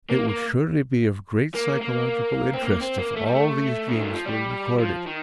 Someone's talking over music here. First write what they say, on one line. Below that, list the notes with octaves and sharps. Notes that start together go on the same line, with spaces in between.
It would surely be of great psychological interest if all these dreams were recorded.
A#3
A#3
A#3
A#3
C4
A#3
C4
A#3
A3
G3
A3
D3
D#3
F3
G3
F3
D#3